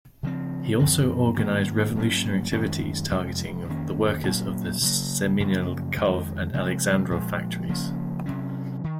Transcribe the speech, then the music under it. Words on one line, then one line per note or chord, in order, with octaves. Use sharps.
He also organized revolutionary activities targeting the workers of the Semiannikov and Aleksandrov factories.
C#3 F3 C4
F#2 F3 C4
G#2 D#3 A#3
G#2 F#3 A#3 C#4
F#2 D#3 G#3 C#4
F2 C3 F3 G#3
F2 D#3 A#3 C#4
A#2 F#3 A#3 C#4
C#3 F#3 A#3
F#2 C#3 F3 A#3
F2 D#3 G#3
C3 F3 G#3 C4
A#2 F3 G#3
C#3 F3 A#3 C#4
C3 F#3 C#4
D#3